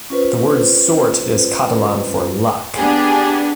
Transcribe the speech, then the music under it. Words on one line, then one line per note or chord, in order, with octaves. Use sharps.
The word "sort" is Catalan for "luck".
C#4 F4 B4 C5
B3 D4 G4 G#4